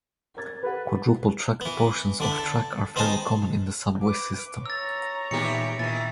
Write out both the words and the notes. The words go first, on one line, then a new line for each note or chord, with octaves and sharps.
Quadruple-tracked portions of track are fairly common in the subway system.
A#4 G#6 A6
G4 A4 B4 F#5
E3 B3
D3 D4 E4
A4
B3 C4 D#4 G#4 G#5 A5
B4 D6
C#5 A#5 E6 A6
D#2 A#2 G3 B3 D#4 G4 C#7
A#2 D#3 E3 A6